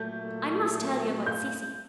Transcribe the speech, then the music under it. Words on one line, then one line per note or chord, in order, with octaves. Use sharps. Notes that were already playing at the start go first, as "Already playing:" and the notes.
I must tell you about Cecy.
Already playing: A#2 F#3 A3 G6
G6